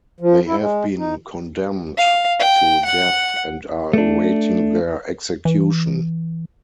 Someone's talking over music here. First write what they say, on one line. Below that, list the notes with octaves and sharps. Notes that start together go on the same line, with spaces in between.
They have been condemned to death and are awaiting their execution.
F3
E4
G#3
D#4
F5
G5
F#5
A3 D4
E3